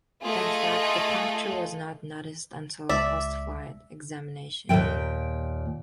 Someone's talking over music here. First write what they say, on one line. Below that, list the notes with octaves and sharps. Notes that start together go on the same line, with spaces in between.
In fact, the puncture was not noticed until postflight examination.
A3 F4 G#4 A4 D#5
C#2 D5 E5
D#2 A#2 E3 G#3 G5